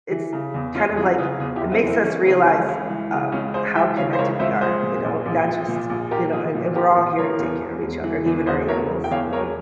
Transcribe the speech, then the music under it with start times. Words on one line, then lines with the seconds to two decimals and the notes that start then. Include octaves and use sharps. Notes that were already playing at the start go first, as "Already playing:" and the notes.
it's kind of like, it makes us realize, um, how connected we are, you know, and that's just, you know and we're all here to take care of each other, even our animals, you know?
0.11 E3
0.33 C#3
0.54 E2
0.75 F1 C#4 F4
0.97 E3 F4 G#4
1.18 C#3 F4 G#4
1.40 E2 F4 G#4
1.56 E4 G4
1.61 F1
1.72 C4 E4
1.83 E3
1.88 C4 E4
2.04 E3 C#4
2.25 C#3 C4
2.47 C#2 C#4
2.69 C#2
2.90 E3
3.11 C#3
3.32 C#2 C#4
3.54 C#2 G#4 C5
3.75 E3 E5 G5
3.97 C#3 C#5 F5
4.13 C5
4.18 C#2 A#4 C#5
4.40 C#2 C5 E5
4.61 F3 G#4 C5
4.82 A#2
5.04 A#1
5.25 A#1
5.47 F3
5.68 A#2
5.89 A#1
6.11 A#1 G4 A#4
6.32 F3 F4 G#4
6.54 A#2
6.75 A#1 G4 A#4
6.97 A#1
7.18 E3 A#4 C#5
7.39 E2
7.61 E1
7.82 E1
8.04 E3
8.26 E2
8.47 E1 G#4 C5
8.68 E1 A#4 C#5
8.90 E3
9.04 G5
9.11 E2 C#5 F5
9.33 E1 A#4 C#5